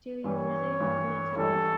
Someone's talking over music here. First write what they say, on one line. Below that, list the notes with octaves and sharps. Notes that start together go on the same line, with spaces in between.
Do you really want me to go?
G2 E3 G3 C#5
G2 E3 G3
G2 E3 G3 A4